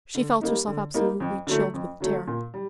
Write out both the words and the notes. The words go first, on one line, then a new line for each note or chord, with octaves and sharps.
She felt herself absolutely chilled with terror.
D3
G3 A#3 D#4
D3
G3 A#3 D#4
F2
D3 F#3 A3
F2
D3 F#3 A3
A#2
G3